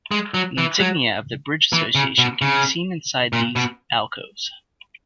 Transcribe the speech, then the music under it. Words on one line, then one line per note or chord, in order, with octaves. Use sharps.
The insignia of the Bridge Association can be seen inside these alcoves.
G#3
F#3
E3
F#3
E3
C#3
B2
C#3
A#2
B2